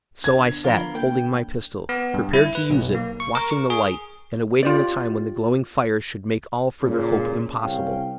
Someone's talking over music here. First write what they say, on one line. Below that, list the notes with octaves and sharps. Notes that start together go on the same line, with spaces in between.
So I sat, holding my pistol, prepared to use it, watching the light, and awaiting the time when the glowing fires should make all further hope impossible.
D3 B3 G#6
F3 F4 A#4 B5
A#3 G5
B3
G2
E4
B4
B1
A#3
C#6
A#4
C#6
G#4
F4 G4 D5
A#2 C#3
C2 C#4 F5 G5